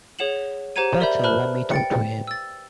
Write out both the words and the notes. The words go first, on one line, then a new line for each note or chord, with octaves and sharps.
Better let me talk to him.
G#4 C#5 F#5 E7 F#7
G4 C5 F#5 A#5 G#6 D#7
A#4 D5 E5 B5 G6
B4 C5 A5 B5 F6 F#6
G5 A6 C#7
E6 A6